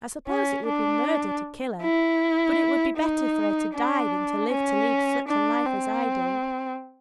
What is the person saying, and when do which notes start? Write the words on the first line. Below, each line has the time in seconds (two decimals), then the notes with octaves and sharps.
I suppose it would be murder to kill her, but it would be better for her to die than to live to lead such a life as I do.
0.27 C#4
0.66 D4
1.82 E4
2.97 D#4
3.74 D4
4.50 C#4
5.28 D4
5.66 C4